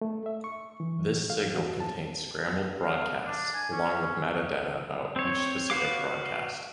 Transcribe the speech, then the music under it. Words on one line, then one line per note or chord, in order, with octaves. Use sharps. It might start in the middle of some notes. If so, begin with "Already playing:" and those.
This signal contains scrambled broadcasts, along with meta data about each specific broadcast.
A3
E5
C#6
E3
F5
F#4
A5
F5
D4
G#5
C#4
C4 C#5
F#4 B4 F5 D6